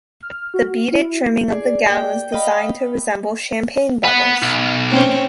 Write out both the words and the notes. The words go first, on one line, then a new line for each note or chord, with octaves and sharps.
The beaded trimming of the gown was designed to resemble champagne bubbles.
F6
F#4
E4
G#4 D5
A#3 G4 D5 G5
D#5 F5 G5 B5
B4 F#5
B1
C4 C#4